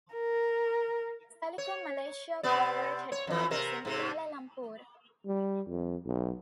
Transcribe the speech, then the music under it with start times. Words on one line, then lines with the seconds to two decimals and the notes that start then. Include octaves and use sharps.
Telekom Malaysia corporate headquarters in Kuala Lumpur.
0.14 A#4
1.58 C#5
2.43 C3 B3 D5
3.12 C#5
3.27 F2 E3
3.51 C3 A#4
3.85 G#2 C3
5.26 G3
5.67 F2
6.06 B1